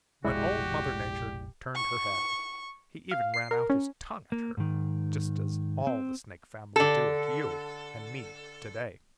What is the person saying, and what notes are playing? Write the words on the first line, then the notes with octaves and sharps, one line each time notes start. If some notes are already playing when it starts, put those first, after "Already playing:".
When Old Mother Nature turned her head, he even ran out his tongue at her, just as all the Snake family do at you and me to-day.
F1 A#1 B2 G#3 E4 F#4 G4 D5
C#6
F5
C7
A#4
C#4
A#3
G#2 D#3
C4
D3 A4